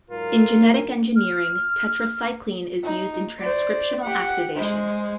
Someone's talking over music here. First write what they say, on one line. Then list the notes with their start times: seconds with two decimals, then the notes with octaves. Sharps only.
In genetic engineering, tetracycline is used in transcriptional activation.
0.10 G#2 F#3 F4 A#4
1.16 F6
2.83 D#4
3.39 C5 D5
4.01 G4 F#5
4.55 G#3 C5